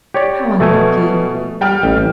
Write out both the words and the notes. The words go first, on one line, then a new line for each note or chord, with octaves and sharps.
How unlucky!
G4 C#5 D5
B2 A3 G#5
G3 G5 F6
A1